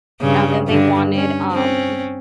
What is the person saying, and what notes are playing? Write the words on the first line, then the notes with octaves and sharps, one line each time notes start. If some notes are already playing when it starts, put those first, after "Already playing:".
and then they wanted, um,
G2 C#3
G2 D3
C#4
C4 C#4